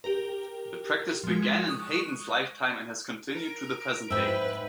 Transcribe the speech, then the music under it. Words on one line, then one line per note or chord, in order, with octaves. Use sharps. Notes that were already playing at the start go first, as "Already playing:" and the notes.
The practice began in Haydn's lifetime and has continued to the present day.
G4 A#4
F3 G#3
C#6 D#6 F#6
A#4 D7
G#2 B4 C5 E5 G5